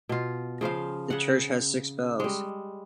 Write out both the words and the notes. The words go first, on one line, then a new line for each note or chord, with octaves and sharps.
The church has six bells.
B2 F4
C#3 F3 C5 F5
C#3 F#5
G3 G#3